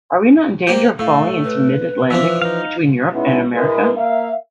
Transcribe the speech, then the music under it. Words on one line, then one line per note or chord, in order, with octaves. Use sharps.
Are we not in danger of falling into mid-Atlantic between Europe and America?
A#3 G4 C5
A2 A3 F5
B4
E3 F3 D4 E5
D#4 F5
G#3 B3 C#4 D#4 E4
G#3 E4 A#4 B4
A#3 E5 F5